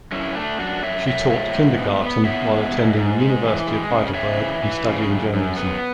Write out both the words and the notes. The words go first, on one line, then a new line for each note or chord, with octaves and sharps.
She taught kindergarten while attending the University of Heidelberg and studying journalism.
F#2 C#4 E4
A3 D4
F#2 D4 F#4
F#2 C#5 E5
F#2 C#5 E5
G#2 C#5 E5
G#2
B3
B3
B3 C#5 E5
G#2
G#2
G#2
G#3
E3
G#3
C#3
C#3 C#5 E5
E3
E3
C#3
F#2
F#2
B3